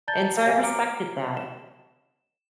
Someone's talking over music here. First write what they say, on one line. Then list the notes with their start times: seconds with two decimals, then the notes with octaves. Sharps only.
and so I respected that,
0.08 D5 A5 A#5 G6 A6 G7
0.45 F#4 G4 C#5 E5 F5 G#5
0.63 A#5 D6 F6 C#7 D7
1.37 E7